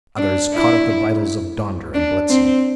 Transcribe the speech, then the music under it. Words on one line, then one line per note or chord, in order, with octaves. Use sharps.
Others caught at the bridles of Donder and Blitzen.
D4
E4
D4
C4